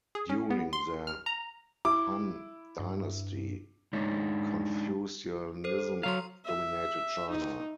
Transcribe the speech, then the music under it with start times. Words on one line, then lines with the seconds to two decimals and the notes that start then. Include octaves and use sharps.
During the Han dynasty Confucianism dominated China.
0.15 G#4
0.30 C#4
0.50 B3
0.73 C6
1.07 F6
1.26 A#5
1.85 E4 D6
2.79 G2
3.93 G#3 D4 D#4 C#5
5.64 A4 C5
6.03 F#3 F5 A#5 C6
6.45 E5
7.30 D#4